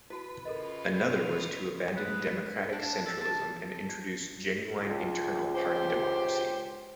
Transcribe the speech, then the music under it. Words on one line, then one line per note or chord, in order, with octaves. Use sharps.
Another was to abandon democratic centralism and introduce genuine internal party democracy.
E4 F#4 B4 A5
C#3 F4 A4 A#4 D#5
G#3 B4
D4
A4
A5
C#2
G4 C5